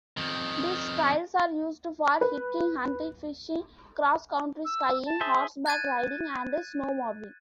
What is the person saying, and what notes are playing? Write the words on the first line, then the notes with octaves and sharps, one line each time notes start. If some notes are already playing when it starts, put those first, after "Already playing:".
These trails are used for hiking, hunting, fishing, cross-country skiing, horseback riding and snowmobiling.
F2 D#3
B4
E6
A5
G#4 C5 E5
F#6 G#6 A6 D#7